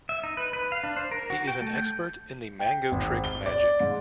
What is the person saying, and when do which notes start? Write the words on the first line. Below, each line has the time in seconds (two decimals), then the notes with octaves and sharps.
He is an expert in the "Mango Trick" magic.
0.09 E5
0.24 D#4
0.37 B4
0.53 B4
0.72 F5
0.83 D4
0.97 C5
1.11 A#4
1.30 F#4
1.47 G5
1.62 A3
1.78 G6
2.59 G5
2.92 G#1
3.24 G7
3.46 D5
3.80 G#2